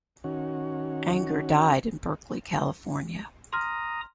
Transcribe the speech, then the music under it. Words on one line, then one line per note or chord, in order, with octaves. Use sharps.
Anger died in Berkeley, California.
D#3 C#4 F#4
A#5 C6 D#6 F6